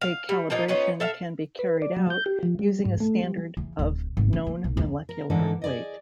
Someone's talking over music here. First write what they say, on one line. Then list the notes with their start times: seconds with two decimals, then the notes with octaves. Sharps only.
A calibration can be carried out using a standard of known molecular weight.
0.01 F5
0.29 G3
0.50 F3 A#3 D#4 F4
0.68 B3 C#4 D#4 F4
1.00 A4 E5 F5
1.59 B4
1.82 D5
1.97 F#3
2.10 G6
2.26 G4
2.43 F3
2.59 G3
2.85 G#2
3.00 A3
3.23 G3
3.57 E2
3.79 D1
4.17 G#1
4.33 C#4
4.46 A#3
4.64 B1
4.77 E2
5.09 A#4
5.30 G#2 D3 E3 A#3 A4 A#4
5.62 G#4 D5 D#5